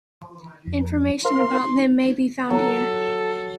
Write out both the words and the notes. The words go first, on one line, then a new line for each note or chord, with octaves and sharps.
Information about them may be found here.
F2
A#4 C5 F5 C6
F#3 A4